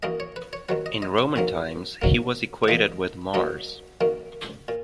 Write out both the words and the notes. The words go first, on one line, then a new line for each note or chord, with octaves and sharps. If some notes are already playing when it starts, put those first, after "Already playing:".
In Roman times he was equated with Mars.
F#2 E3 A#3 D#5
C#5
B4
C#5
D#2 D#3 F#3 B4
D#5
D#5
E5
A#1 G#2 D#3 F#3 A#3
G#2 F#3 A#3
E5
E2 B2 A#3 D#5
C#2 B2 F#3 A#3 D#5
F#2 D#3 A#3
A#2